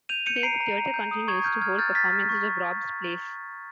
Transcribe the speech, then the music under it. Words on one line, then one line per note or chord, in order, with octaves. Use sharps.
Today, the theatre continues to hold performances of Rob's plays.
G6 D#7 F7
G6 C#7 D#7
C#7
A#5 C7 D7
A#5
A#5
G6
D#6
C#6 G#6
G#6
F6 G6
F6 G#6
F6 G6 A6
F6 A6 B6
F6
C#6